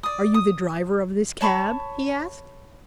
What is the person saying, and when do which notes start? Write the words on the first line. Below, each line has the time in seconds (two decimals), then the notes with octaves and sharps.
"Are you the driver of this cab?" he asked.
0.03 D5 D#6
0.34 D#6
1.41 C#5 A5 B5 C#6